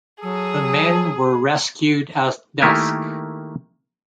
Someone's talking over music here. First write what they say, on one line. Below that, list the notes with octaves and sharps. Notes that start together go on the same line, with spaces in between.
The men were rescued at dusk.
F#3 G#4 A4 D#6
D#3 A3 A#3 E4 G4 G#5